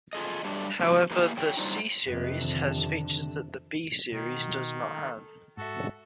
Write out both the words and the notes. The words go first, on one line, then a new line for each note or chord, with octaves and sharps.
However, the "C"-series has features that the "B"-series does not have.
F4 G#4 A4 D#5
F#3 G3 A3 D4 G4
F3 F#4
A#3 E4 G4 G#4 A#4 D#5
F#3 A4 G5
F#3 G3 C4 D4 D#4 F4
F2 C3 G4 B4 D#5
D3 D#3 D4
B2 D#3 F#4
A4
G#2 F#4 A4 E5